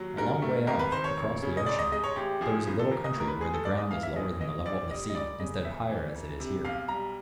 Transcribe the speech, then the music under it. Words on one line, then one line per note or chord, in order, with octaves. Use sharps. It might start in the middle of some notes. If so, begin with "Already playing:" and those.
A long way off, across the ocean, there is a little country where the ground is lower than the level of the sea, instead of higher, as it is here.
Already playing: D#2 F#3
G2 A#4
A3
G#1 A#4
B4
D#3 C5
C#5
F1
C#3
D#5
G#2 D5
D#5
G#3 D#5
C#5
A1 G4
F3 G#4
G#1
A4
E3 A#4
D#5
A2 A#4
B4
G#3 G#4
A4
G1 D5
D#5
E3 F5
E5
A#1 D#5
E3 D#5
A#1 D5
G3 D#5
D#5
F#1 D5
C#3 D#5
E2 E5
E3
E1
C3
B1 F5
G3 A#5